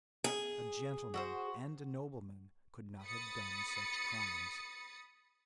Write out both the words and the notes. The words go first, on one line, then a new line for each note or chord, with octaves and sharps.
"A gentleman and a nobleman could not have done such crimes."
G#4
F#4 A4 C5
B5 D#6 A6 C#7